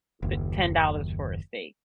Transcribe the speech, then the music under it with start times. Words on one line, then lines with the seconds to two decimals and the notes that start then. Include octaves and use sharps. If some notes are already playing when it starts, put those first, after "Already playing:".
t ten dollars for a steak.
0.23 F#1 D#2